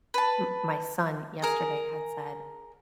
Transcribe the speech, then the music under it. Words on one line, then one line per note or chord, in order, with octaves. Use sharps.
m my son yesterday had said
B4 A5
G#4 A#4